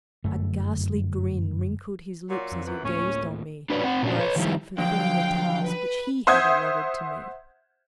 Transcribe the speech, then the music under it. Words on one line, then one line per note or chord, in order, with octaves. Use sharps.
A ghastly grin wrinkled his lips as he gazed on me, where I sat fulfilling the task which he had allotted to me.
G1 F#2 A3
A#2 F#3
F2
F#2 E3 B4
D1 A2 A#3 C#4
D4 F#4 B4 C#5 D5
C4 F#5
A#2 C#4 D4 F#4
B4 C#5
D#3 F3 G3 E4
D3 F3 F#3 F5 G5
B4
C5 E5 F#5 D#6 G6 G#6